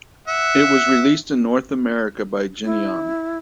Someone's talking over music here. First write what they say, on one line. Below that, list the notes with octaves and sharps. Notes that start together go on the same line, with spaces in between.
It was released in North America by Geneon.
E5 F#5
E4